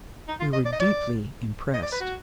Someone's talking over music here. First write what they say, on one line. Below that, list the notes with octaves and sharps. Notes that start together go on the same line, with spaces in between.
We were deeply impressed.
D#4
F4
D#5
D5
D#5
D5
D#5
D5
B4
F#4